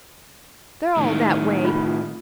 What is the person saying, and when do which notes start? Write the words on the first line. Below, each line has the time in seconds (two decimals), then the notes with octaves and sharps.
They're all that way.
0.97 A2 D#3
1.65 F4